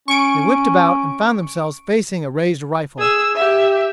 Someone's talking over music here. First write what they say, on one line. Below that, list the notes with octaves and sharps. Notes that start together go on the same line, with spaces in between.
They whipped about and found themselves facing a raised rifle.
C#4 C#6 D7
G#4 E6
G4 E5